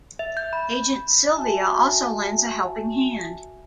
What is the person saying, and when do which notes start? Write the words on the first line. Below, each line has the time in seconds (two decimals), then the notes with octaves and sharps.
Agent Sylvia also lends a helping hand.
0.19 E5
0.37 G6
0.53 B5
1.36 F#4 E5 G#5 A5